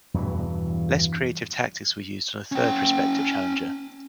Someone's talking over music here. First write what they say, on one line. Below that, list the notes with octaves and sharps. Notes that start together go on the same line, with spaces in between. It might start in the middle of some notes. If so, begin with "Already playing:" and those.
Less creative tactics were used on a third prospective challenger.
E2 G2 B2 E3
C#4 G5